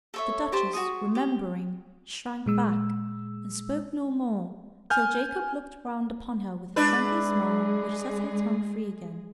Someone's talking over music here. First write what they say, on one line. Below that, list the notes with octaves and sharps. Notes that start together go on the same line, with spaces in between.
The Duchess, remembering, shrank back, and spoke no more, till Jacob looked round upon her with a friendly smile which set her tongue free again.
A4 C#5 E5
G4 C5 A5
F#4 G#4 D#6
G4
A#2 G#3 E6
G#5 F6 G6
G#3 D4 E4 G#4 B4